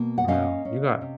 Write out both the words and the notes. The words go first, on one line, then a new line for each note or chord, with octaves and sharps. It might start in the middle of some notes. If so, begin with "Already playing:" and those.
Wow. You got
Already playing: B2 A#3
F#5
C#4 D#5 F5
C#4
C3